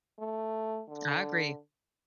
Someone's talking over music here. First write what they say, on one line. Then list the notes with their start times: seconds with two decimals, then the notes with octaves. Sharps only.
I agree.
0.19 A3
0.88 D3